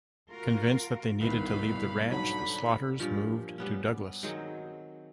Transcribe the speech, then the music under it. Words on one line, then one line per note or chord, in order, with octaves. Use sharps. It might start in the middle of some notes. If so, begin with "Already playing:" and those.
Convinced that they needed to leave the ranch, the Slaughters moved to Douglas.
F4 F#4 A#4
G1 C2 B2 D#3 G3 F5 B5
G#2 D3 F#3 B5
G2 A#2 F3 C#4
G3 B3 C#4
D#3 F#3 C4 G#4